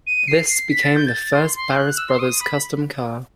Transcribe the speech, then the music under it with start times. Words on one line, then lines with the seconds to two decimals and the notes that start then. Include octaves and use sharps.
This became the first Barris Brothers custom car.
0.07 D#7
0.28 C7
0.49 C7
0.71 B6
0.83 A6
0.95 G6
1.07 A6
1.34 C6
1.55 C6
1.71 G6
1.77 F#6
1.97 E6
2.09 C6
2.19 D#6
2.40 B5